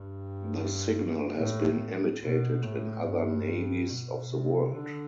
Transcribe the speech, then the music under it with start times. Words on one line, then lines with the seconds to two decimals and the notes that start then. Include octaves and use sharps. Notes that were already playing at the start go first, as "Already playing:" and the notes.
The signal has been imitated in other navies of the world.
Already playing: G2
1.36 A2
2.21 B2
2.63 A2
3.05 G2
3.89 B2
4.31 C3
4.74 D3